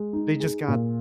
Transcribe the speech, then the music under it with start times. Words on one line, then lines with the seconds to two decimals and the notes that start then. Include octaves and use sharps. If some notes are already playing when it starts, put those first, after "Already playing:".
They just got
Already playing: G#3
0.13 D#4
0.40 G#4
0.68 A#2